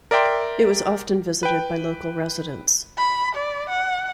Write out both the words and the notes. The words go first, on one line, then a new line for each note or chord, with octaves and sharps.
It was often visited by local residents.
A#4 D5 E5 G5 C6
B4 G5
B5
D5
F#5